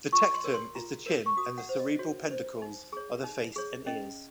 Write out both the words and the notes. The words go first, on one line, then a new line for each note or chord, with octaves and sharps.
The tectum is the chin and the cerebral peduncles are the face and ears.
F4 C#6
C6
A#4 C#5
C6
F4 A#5
A#4 C#5
C#6
F#4 D#6
F#5
C5
D#5
F#4 C#5
C5
D#4
G#4 C#5
D#4
G#4 C#5
C#4 D#5